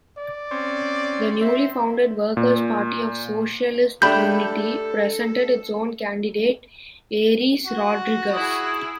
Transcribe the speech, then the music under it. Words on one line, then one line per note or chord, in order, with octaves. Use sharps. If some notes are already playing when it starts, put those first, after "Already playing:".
The newly founded Workers Party of Socialist Unity presented its own candidate, Aires Rodrigues.
D5
C4 C#4
C4 E5
A#2
A3 D4 G4 A4 B5 G6
F#4
E4 G#4 D#6